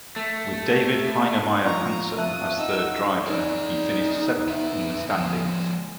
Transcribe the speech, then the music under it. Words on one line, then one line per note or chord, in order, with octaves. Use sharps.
With David Heinemeier Hansson as third driver, he finished seventh in the standings.
A3
F3 A#5 C#6
E5 A5 D#6 F#6
D#4 F#5 E6
D#4 G#4 D5
B3 E5
F3 G#3